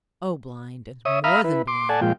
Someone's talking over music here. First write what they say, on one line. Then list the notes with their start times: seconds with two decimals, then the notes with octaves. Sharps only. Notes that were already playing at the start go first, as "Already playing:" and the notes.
O Blind, and more than blind!
1.05 C#5 E5 D#6
1.24 E5 F5 A#5 B5 D#6 F6
1.44 E4 B4
1.67 C6 D6
1.89 A4 D5 F#5 G#5 A5
2.01 A#2 F3 G#3 F4 G5